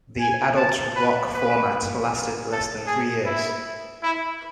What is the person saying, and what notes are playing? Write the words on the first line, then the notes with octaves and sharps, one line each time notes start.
The adult rock format lasted less than three years.
G#5
A5
B4
B4
A4
G#4
E4
E4